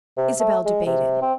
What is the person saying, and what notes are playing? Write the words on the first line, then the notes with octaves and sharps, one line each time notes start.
Isabel debated.
C3
A3
G#3
C3
C4